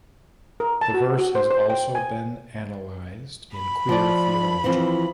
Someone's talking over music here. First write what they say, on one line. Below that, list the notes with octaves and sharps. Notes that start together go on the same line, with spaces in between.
The verse has also been analyzed in queer theology.
A#4
A5
F#4
F#4
C5
C5
G5
G#5
B5
F3 D5
E3 F3 C4